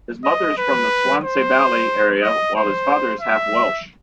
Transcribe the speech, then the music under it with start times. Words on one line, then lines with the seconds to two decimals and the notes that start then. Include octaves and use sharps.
His mother is from the Swansea Valley area while his father is half Welsh.
0.24 D#5
0.58 B4
1.24 C5
2.22 D#5
2.56 C5
3.21 E5